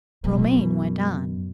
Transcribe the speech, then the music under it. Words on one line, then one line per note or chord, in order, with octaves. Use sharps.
Romayne went on.
F#2 B2